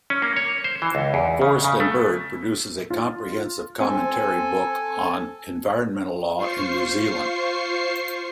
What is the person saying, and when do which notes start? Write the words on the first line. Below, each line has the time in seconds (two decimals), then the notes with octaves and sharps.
Forest and Bird produces a comprehensive commentary book on environmental law in New Zealand.
0.10 C#4
0.22 A#3
0.36 C#5
0.64 C5
0.82 E3
0.95 C#2
1.14 E2
1.41 C#3
1.65 C#3
1.80 A3
2.90 F4
3.80 C4 A4 G#5
6.36 F4 C5 C#6 C7